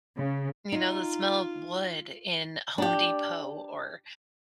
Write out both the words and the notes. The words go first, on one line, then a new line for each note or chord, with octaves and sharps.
You know, the smell of wood in Home Depot or
C#3
D#4 F4
D4 G4